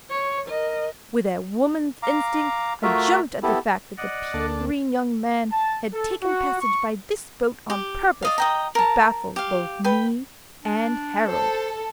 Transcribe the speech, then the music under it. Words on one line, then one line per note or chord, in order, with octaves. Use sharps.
With a woman's instinct, I jumped at the fact that the pea-green young man had taken passage by this boat, on purpose to baffle both me and Harold.
C#5
A#4 D#5
F5 A#5 D6
A3 F4 F#4 A#4 E5
B3 E4 G4 A4
D5 D#5 F#5
D2 A#3 D4 A4
A5
A4
F#4
C#6
G4
D5 D#5 F5
D#5 G5 A#5
A#4 A5
G4 F5
B4 G5 B5
D4
A4 C5